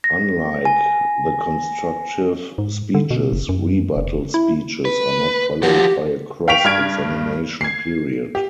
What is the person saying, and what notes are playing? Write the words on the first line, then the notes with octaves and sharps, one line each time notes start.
Unlike the constructive speeches, rebuttal speeches are not followed by a cross-examination period.
A#6
G#5
G#2
D3
B2
F#1
F#2
F1
E4
B4
F3 F#4 G4
F5 G5 C#6 B6 D7 F7
G2 D4 F6 G#6 D7
G#6 C7
G4